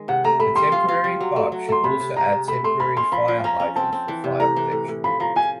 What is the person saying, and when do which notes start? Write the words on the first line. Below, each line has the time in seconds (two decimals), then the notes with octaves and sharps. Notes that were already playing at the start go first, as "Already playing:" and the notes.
The temporary pipe should also add temporary fire hydrants for fire protection.
Already playing: D#3 G#3
0.08 C3 F#5
0.24 A3 A#5
0.40 A3 B5
0.56 G3 C6
0.72 F4
0.88 F4
1.04 G3
1.21 F#3
1.36 A3
1.52 F#3
1.68 A3 C6
1.84 C3 B5
2.00 C3
2.16 G#3 A#5
2.32 C3
2.48 A3 B5
2.64 A3 C6
2.80 C#4 B5
2.97 C#4 C6
3.12 F3 B5
3.28 F3
3.44 C#4 A#5
3.60 C#4
3.76 C4 A5
3.93 C4
4.08 E3
4.24 C3
4.40 A2 A#5
4.56 E3
4.72 A2
4.88 A2
5.04 F3 B5
5.20 F3 A#5
5.36 F3 G#5